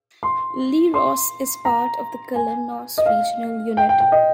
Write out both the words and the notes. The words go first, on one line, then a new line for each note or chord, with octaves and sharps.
Leros is part of the Kalymnos regional unit.
C6
C6
A#5
G#5
D#5
F5
G5
G5
G5
D#5